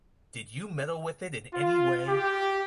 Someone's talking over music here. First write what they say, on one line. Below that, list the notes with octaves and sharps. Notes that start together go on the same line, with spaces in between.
Did you meddle with it in any way?
F4
G4